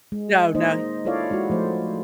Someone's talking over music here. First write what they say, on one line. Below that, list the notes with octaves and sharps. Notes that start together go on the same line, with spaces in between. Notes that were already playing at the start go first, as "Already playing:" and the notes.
No, no.
G#3
A#3 D#4 C5 D#5
E4 F4 A4 C#5 D5 F5
G#3 E4 F#4
F3 A3 C5